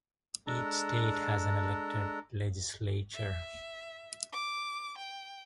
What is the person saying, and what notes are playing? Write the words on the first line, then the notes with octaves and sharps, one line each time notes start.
Each state has an elected legislature.
G#3 D4 A4 A5 A#5
E5
D6
G5